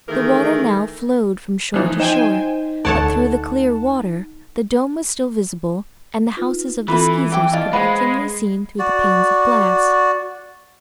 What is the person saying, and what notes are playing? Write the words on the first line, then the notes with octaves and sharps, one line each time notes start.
The water now flowed from shore to shore, but through the clear water the dome was still visible and the houses of the Skeezers could be dimly seen through the panes of glass.
D#3 E3 A3 G#4 A#4
E3 F3 D#4
D#4 C5 G5 G#5 E7
D2 A4 C#5 D5 F#5 A5
D#4 F4 B4
E3 C4 F4 A4 B4 B5
G5 D6
F4 D5 D#5 A5
G#3 B4 C5 F5 F#5
F#4 D5